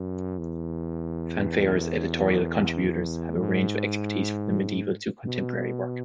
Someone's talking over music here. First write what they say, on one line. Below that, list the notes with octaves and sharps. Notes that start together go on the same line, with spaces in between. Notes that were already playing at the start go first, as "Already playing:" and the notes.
"Fanfare"'s editorial contributors have a range of expertise from the medieval to contemporary work.
Already playing: F#2
E2
G#2
B2